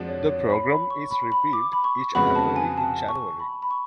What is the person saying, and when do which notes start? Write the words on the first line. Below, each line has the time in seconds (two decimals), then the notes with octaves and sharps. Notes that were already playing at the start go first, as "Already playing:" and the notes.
The programme is reviewed each annually in January.
Already playing: F2 F3 G#3 D4 F#4
0.09 C#5
0.28 C#5
0.50 B5
0.70 B5
0.90 C#6
1.11 B5
1.32 B5
1.53 D6
1.73 B5
1.84 C#6
2.15 F2 C#3 G#3 B3 F#4 B5
2.35 A5
2.56 G#5
2.78 A5
3.09 C#6
3.40 B5
3.62 B5
3.71 C#6